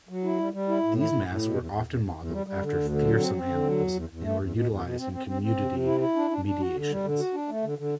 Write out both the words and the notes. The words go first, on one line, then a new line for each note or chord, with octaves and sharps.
These masks were often modeled after fearsome animals and were utilized in community mediations.
F#3
E4
G3
G3
E4
A2
E4
A2
A2
B2
E2
E2
E2
E2
E2
G3
G3
D3
D2
D3
F#3
C4
C4
D3
F#3
E2
E2
E2
A3
E2
B2
E2
B2
C4
C4
C4
C4
C3
C3
E4
E4
D4
D4
D4
F#4
D3
G3
D3
F#4
D4
A3
D3
D3